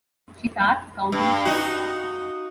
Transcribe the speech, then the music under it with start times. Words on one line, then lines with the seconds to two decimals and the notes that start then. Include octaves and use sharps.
She starts counting sheep.
1.12 G2
1.45 D#4 F#4